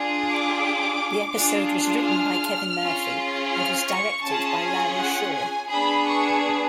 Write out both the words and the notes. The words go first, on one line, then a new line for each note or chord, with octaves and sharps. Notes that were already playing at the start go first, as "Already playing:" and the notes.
The episode was written by Kevin Murphy and was directed by Larry Shaw.
Already playing: D4 F4 G#4
D6
D4 F4 G#4
F6
C#4 F4 G#4
F6
C#6
C#4 F4 G#4 A5
G#5
F#5
G#5
B3 D4 G#4 B5
C#6